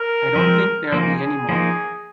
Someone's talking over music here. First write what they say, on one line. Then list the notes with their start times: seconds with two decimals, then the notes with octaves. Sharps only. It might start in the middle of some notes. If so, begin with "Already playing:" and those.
I don't think there'll be any more.
Already playing: A#4
0.36 F3 G#3 C4
0.92 F3 A#3 D#4 G#4
1.49 F3 A#3 D#4